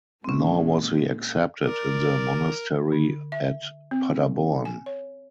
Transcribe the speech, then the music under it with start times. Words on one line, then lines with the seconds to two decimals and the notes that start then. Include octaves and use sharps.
Nor was he accepted in the monastery at Paderborn.
0.24 A#2 G#3 A#3 C4 C#4
1.65 A#4 D5
2.92 D3
3.32 E5
3.91 C4
4.65 G#5
4.86 C#5